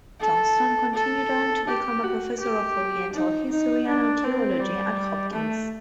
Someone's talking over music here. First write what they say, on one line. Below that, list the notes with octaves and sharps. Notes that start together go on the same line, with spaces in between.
Johnston continued on to become a Professor of Oriental History and Archaeology at Hopkins.
A4
A4
G4
F#4
G4
D#4
D#4
D4
C4
G3
A3